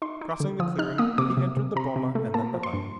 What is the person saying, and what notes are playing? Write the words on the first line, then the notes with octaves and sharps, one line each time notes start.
Crossing the clearing, he entered the boma and then the hut.
D#4 C6
D#4
D6
D3
F3 D#6
D#4 F6
A#3 D#6
C3 D6
C3
C3
C3 A#5
C3
A3
A#3 A5
F3
C6
G2